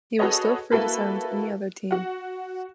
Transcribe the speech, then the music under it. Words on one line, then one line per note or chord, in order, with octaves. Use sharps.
He was still free to sign with any other team.
F#4 G#4 A4 B4 C#5 D#5
A#3 E4 F#4 A4 B4
F#4 F#5